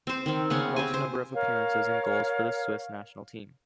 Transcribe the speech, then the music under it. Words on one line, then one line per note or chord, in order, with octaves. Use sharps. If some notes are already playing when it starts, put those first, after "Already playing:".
Most number of appearances and goals for the Swiss national team.
C4 C5
D#3 C4
C#3 B3 C#4 C6
C4 G4 G#5
C5
A#4 C#5 F5